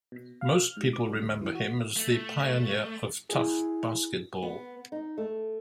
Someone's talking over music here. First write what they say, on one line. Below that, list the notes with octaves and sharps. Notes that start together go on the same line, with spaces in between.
Most people remember him as the pioneer of tough basketball.
B2
F5
F6
G#2
D6
G3
D2
E3
F#4
A3
E4 G#4
B3
D#4
A3